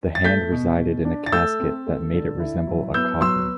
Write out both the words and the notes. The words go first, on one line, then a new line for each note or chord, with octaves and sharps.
The Hand resided in a casket that made it resemble a coffin.
A6
A3 G6 B6
B2
B2
D4
A6
A3 E6 G6
C4
A3
D3
E4
F#3
B3 E6 G6
F#3 C6 E6